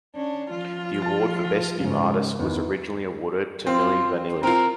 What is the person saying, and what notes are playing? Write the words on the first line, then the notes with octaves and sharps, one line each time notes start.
The award for Best New Artist was originally awarded to Milli Vanilli.
C#4 D4
F3 F4
A5 A6
G#2 C#3
E2 D#3
C4 F4
C4 F4 A#4